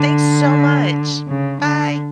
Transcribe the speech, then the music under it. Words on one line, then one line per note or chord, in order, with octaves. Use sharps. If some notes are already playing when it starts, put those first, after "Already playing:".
thanks so much. Bye.
Already playing: D3
C#3
D3